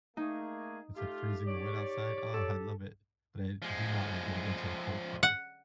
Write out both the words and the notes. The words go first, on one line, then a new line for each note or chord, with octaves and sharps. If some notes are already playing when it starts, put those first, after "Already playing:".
It's, like, freezing and wet outside, oh, I love it. But I do not like getting into a cold car.
A3 A#3 D#4 G#4
A3 F4 G4
C#5 D5
A4
F3 G#3
F#5